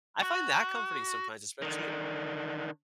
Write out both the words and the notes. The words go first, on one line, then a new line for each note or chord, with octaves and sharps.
I find that comforting sometimes, especially
F#4
D3 D#3